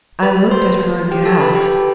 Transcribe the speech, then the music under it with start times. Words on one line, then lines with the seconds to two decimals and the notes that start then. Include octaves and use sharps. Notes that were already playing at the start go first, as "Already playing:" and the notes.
I looked at her aghast.
0.22 B4 B5
0.51 C5 C6
1.11 G4 G5
1.25 A4 A5
1.41 B4 B5
1.55 G4 G5